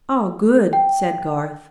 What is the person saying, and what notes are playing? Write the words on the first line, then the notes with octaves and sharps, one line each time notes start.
"Ah, good!" said Garth.
G5